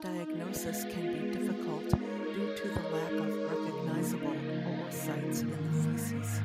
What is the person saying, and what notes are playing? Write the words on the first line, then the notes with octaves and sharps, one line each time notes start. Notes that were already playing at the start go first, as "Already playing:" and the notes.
Diagnosis can be difficult due to the lack of recognizable oocysts in the feces.
Already playing: D#4
G#3 B3 F4
G#3 D#4 A#4 C#5
C#3 F3 A#3 D#4
G#2 D#3 A#3